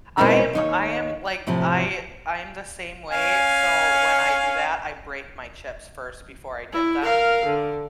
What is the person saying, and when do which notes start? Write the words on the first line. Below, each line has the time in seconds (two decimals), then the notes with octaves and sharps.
I am I am, like, I I'm the same way, so, when I do that, I break my chips first before I dip them.
0.17 B2 G#3 C4 D#4 E4 A#4
0.53 D#2 D#4 C#5
1.47 A2 C3 F3 E4
3.10 C#4 F5 G#5
6.72 E4
7.04 A#4 F5
7.46 D3